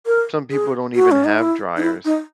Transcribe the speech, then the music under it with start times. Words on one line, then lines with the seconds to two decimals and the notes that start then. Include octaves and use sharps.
some people don't even have dryers.
0.06 A#4
0.51 G#4
0.95 F#4
1.11 C#4
1.25 D#4
1.39 E4
1.77 D#4
1.83 E4
2.05 D#4